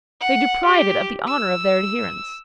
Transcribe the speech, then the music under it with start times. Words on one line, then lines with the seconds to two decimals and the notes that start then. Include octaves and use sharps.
They deprive it of the honour of their adherence.
0.21 F#5
0.66 G4
1.28 E6